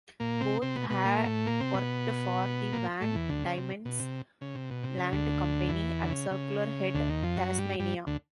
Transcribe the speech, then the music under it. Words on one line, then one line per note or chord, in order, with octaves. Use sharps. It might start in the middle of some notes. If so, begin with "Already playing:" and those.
Both had worked for the Van Diemen's Land Company at Circular Head, Tasmania.
A#2 A#3
C3 C4
C3 C4
B2 B3
B2 B3
A#2 A#3
A2 A3
A#2 A#3
C3 C4
B2 B3
A#2 A#3
A2 A3
E2 E3
D2 D3
C#3
C3
B2
C3
C#3
C3
B2
C3
C#3
D2 D3
E2 E3
D3
C#3
C#3
D2 D3
D#2 D#3
F2 F3
F#2 F#3
G2 G3
G2 G3
D2 D3